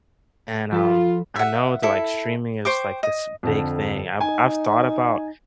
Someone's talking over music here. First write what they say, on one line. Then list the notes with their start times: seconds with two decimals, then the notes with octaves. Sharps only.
and, um, I know that, like, streaming is, like, this big thing. I've I've thought about
0.73 F3 F4 A4 B5
1.36 E5 F#5
1.83 E4 A4
2.65 C5 G5 C#6 D6
3.03 D#5
3.43 F2 D3
4.21 D#4 G#5